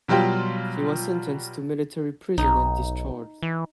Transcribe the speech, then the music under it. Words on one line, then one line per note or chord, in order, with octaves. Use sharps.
He was sentenced to military prison and discharged.
B2 F#3 G3 F4 G4
B1 D#4
E3